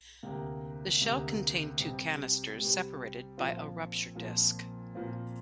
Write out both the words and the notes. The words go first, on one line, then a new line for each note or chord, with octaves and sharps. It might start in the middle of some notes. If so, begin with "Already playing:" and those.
The shell contained two canisters separated by a rupture disk.
D2 C3 A#3
D2 C3 A#3
C3 G3 C4
C3 G3 C4
A#2 F3 C4 F4
A#2 F3 C4 F4
A#2 F3 C4 F4